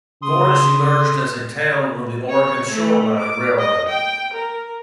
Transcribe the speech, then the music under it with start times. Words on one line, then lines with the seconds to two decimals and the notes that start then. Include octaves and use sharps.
Cornish emerged as a town on the Oregon Short Line Railroad.
0.22 C#3 C6 D#6
2.29 C#5
2.69 A3
3.19 D6
3.59 D#5
3.89 G5
4.33 A#4